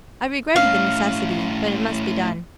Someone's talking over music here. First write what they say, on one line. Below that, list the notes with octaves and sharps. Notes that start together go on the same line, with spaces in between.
I regretted the necessity, but it must be done.
A2 C#4 F5